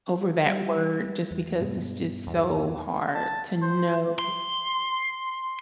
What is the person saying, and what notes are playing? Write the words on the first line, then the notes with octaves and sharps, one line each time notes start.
over that word just because it's just so hard to know
G3
E2
G2 B2 G#3
E2
A5
C5
C6